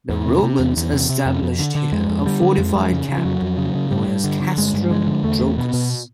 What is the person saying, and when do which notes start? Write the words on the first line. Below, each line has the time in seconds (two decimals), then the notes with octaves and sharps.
The Romans established here a fortified camp known as Castrum Drocas.
0.09 E2
0.26 C3
0.43 C3
0.59 E2
0.76 E2
0.93 C3
1.09 C3
1.26 F2
1.42 F2
1.59 D3
1.75 D3
1.92 F2 G#3
2.09 F2
2.25 D3 G3
2.42 D3
2.58 F2 G#3
2.75 F2
2.92 C#3
3.09 C#3
3.17 F3
3.25 F2 F#3
3.42 F2
3.57 C#3
3.75 C#3
3.91 G2 G3
4.08 G2
4.24 D3
4.40 D3
4.57 G2 G#3
4.74 G2
4.90 D3 G#3
5.07 D3
5.23 E2 A3
5.40 E2
5.57 B2 B3
5.74 B2